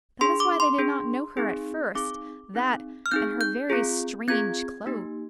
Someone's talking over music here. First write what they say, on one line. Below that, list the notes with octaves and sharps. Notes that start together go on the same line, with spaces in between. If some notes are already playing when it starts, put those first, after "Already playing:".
That is why they did not know her at first, that and her very strange clothes.
D4 G#4 C6
D6
C6
D4 G#4
C4 D#4 G#4
C4 D#4 G#4 D6
C4 D#4 G#4
F6
C4 D#4 G#4 G6
G6
C4 F4 G#4
C4 F4 G#4 G#6
A#3 D#4 G4